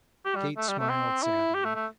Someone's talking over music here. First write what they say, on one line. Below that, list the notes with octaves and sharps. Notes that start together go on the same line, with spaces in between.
Kate smiled sadly.
G4
G3
A3
G3
A3
C4
E4
G4
A3
A3